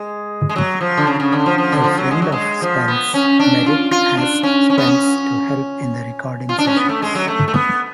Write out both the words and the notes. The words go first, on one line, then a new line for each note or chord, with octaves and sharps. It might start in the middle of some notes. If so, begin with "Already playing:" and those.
A friend of Spence, Merrick asked Spence to help in the recording sessions.
Already playing: G#3
G#3
F#3
F3
D3
C#3
C#3
D3
F3
F3
D3
F3
F#3
G#3
F#3
G#3
F3
B3
C#4
D4
F4
F4
D4
C#4
C#4
B3
C#4
F4
D4
C#4
B3
A3
G#3
F#3
A3
A3
B3